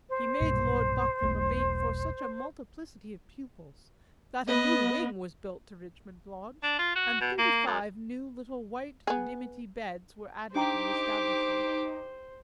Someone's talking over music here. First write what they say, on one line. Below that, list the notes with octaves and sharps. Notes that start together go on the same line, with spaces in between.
He made Lord Buckram a bait for such a multiplicity of pupils, that a new wing was built to Richmond Lodge, and thirty-five new little white dimity beds were added to the establishment.
C5
B1 G2 A#2
E1 B1 A3
B3 B4 D#5
D4
F4
F#4
B2
A#3
F#2
B3 G#4
D4 D#4 G4 C5 G5 A#5 D6